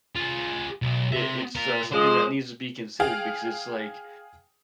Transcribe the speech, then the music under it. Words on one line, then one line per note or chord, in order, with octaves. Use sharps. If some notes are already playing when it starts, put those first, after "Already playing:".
I it's, uh, something that needs to be considered because it's like,
F4 G#4
B1
C4 E5
F4 A#4
F3 G#3 C5
G#4 F5 G5